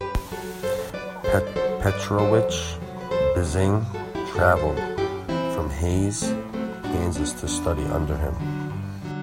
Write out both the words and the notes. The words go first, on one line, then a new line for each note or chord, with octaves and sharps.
Petrowitsch Bissing traveled from Hays, Kansas to study under him.
F#2 G4 B4
F#3 F#4 A4
F#2 A4 C5
F#3 B4 D5
G2 A4 C5
D5
F#3 A4 C5
G2 B4 D5
F#3 A4 C5
E2
C3 F#3
B4
E2 A4 C5
C3 F#3
G2
F#4 A4
F#3
E4 G4
G2 F#4 A4
A4 C5
F#3
F#4 A4
F#2 E4 G4
E3 C4 E4
F#2
E3
A2 A3 C4
F#3 A3 C4
A2 D4 F#4
F#3 B3 D4
E2 B3 D4
D3 F#3
E2
D3 F#3
G2
D3 F#3